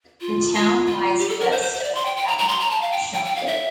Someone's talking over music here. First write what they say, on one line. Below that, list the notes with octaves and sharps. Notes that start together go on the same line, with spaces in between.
The town lies west of the capital Dushanbe.
F4
F4
F4
G4
A4
A#4
C5
C5
C5
E5
D5
C6
G5
G5
A#5
A#5
C6
A#5
A5
F5
G5
G5
G5
F5
E5